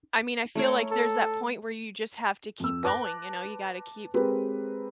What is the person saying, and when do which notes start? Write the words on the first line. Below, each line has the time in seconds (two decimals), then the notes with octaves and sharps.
I mean, I feel like there's that point where you just have to keep going, you know, you gotta keep,
0.55 A3 A#4 C#5
0.91 A4
2.60 F2 E6
2.83 B4 A5 D6 F#6 A#6
4.14 G#3 C4 G4 A#4 B4